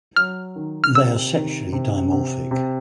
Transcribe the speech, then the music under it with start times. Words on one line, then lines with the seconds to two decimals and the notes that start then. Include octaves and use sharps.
They are sexually dimorphic.
0.16 F#3 F6
0.56 D#3
0.84 F6
0.95 C3 E6
1.33 D#3
1.72 C3
2.12 C3
2.51 C3